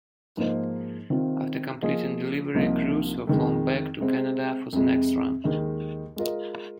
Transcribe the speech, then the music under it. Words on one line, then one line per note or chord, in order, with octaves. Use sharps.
After completing delivery, crews were flown back to Canada for the next run.
G#2 F3 A#3 D#4 C5
C3 D#3 C4 F4
F3 A#3 F4 G#4 D#5
C2 C3 F3 A#3 D#4
F2 D#3 G#3
C3 G#3 C4
F2 C3 G#3
D#2 D#3 G#3 D#4
G#3 F4 A#4 D#5